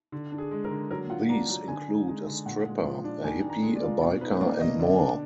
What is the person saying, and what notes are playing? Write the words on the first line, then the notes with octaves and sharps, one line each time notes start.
These include a stripper, a hippie, a biker, and more.
D3
D4
G#4
G#3
A#4
D3
F#3 A#4
F4 F#5
D4 A#5
F#3 A#5
D3 G#5
D#4
G#3
D3
A#2 F#5
G#3
F3
D4
D#3 G#5
D4
A#5
G#3
D5
F4
B2 D5
D#4 B4
A#3 D5
B2 D#5
D3 D5
D4